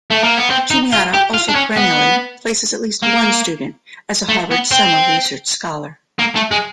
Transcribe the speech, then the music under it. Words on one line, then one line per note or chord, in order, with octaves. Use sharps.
Juniata also perennially places at least one student as a Harvard Summer Research Scholar.
A3
A#3
B3
C4
D#4
F4
G4
F4
D4
C#4
B3
A#3
A3
B3
C4
A#3
A3
G#3